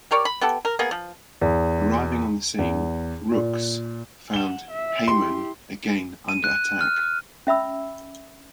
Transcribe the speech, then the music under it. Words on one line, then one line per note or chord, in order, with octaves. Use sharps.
Arriving on the scene, "Rooks" found "Hyman" again under attack.
G4 A#4 C#5 D5
B5
B3 G4 A4
A#4
A#3 B3 G#4
F3
E2
E2
A#2
F#5 E7 G7
E5
E4 G4 C6
D#7
F#6
F6
C#4 E5 B5 E6